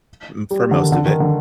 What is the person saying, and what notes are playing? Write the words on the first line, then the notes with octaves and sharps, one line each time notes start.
mm, for most of it,
G3
D3
D#3
D3
D#3
D3